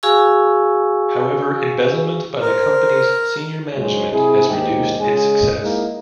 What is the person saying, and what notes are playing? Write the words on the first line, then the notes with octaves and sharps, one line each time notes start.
However, embezzlement by the company's senior management has reduced its success.
F#4 G#4 F5 G#5 C#6 E6
A#4 C5
C#2 G#2 F#3 G#3
C3 E4 G#4
D#2 G#2 D#4 G4
C#3 G#3 G#4
G#3 A#3 D#4 E4